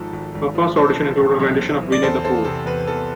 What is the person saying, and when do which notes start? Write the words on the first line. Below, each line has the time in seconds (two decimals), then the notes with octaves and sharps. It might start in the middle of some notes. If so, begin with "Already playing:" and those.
Her first audition included a rendition of Winnie the Pooh.
Already playing: G#1 G#2 F3 A4
0.13 G#1
0.35 G#1
0.55 F3
0.76 B1 A4 C5
0.98 E3
1.18 A2
1.40 B1
1.60 B1
1.81 E3
1.92 D5
2.02 E2 A4 C5
2.24 E3 A4 C5
2.45 C3 A4
2.66 E2 B4
2.87 E2 A4